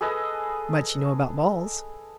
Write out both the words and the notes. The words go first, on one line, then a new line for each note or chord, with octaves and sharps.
"Much you know about balls."
G#4 A4 B4 D#5